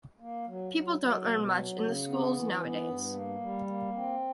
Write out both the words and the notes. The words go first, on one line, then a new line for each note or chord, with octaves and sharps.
People don’t learn much in the schools nowadays.
A#3
F#3
F#3
F#3
B2
F#3
C#3
B3
E3
B3
G2
A#3
G3
A#3
C4